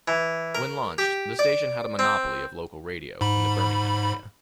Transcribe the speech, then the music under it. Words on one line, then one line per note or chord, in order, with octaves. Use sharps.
When launched, the station had a monopoly of local radio in the Birmingham area.
E3
A#4
G4
D5
C4
G#2 B5